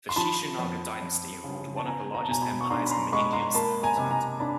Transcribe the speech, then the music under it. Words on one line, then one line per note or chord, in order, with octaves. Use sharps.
The Shishunaga dynasty ruled one of the largest empires in the Indian subcontinent.
C6
F3 A5 B5
F2
F2
C#3
A5
B3 G#5 A#5
A#5
A5
B2 G#5 A#5
A5 B5
C#6
D4 A#5 C6
B5
A#5 C6
G#3 B5 C#6
A#5 C6
A#3 A5 B5
G#5 A#5
C3
G#5 A#5
D4 A5 B5